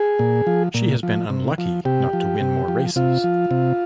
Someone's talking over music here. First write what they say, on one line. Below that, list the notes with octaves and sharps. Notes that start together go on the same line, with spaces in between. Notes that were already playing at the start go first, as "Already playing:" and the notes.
She has been unlucky not to win more races.
Already playing: G#4
A#2
F3
A#2
F3
C3
F3
C3 G4
F3
C3
F3
C3 F4
F3
C3